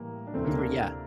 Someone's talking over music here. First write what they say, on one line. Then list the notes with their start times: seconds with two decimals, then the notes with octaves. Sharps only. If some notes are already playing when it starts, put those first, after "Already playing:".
M great, yeah.
Already playing: A2 E3 G3 A#3
0.27 D4
0.34 D2 C3 E3 A3 C4
0.44 A#3 D4
0.55 A#3 D4